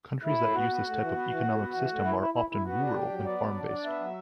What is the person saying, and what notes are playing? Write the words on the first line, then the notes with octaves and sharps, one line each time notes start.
Countries that use this type of economic system are often rural and farm-based.
A2 E4
A2
B3 F#4
B3
A2
E3
B3
E3
A2
B3
E3
A2
E3 E4
E4
E4
E4
B3 F#4
D4
F#3 G4
F#3
B3 D5
F#3
D4
D4
B3 E5
F#3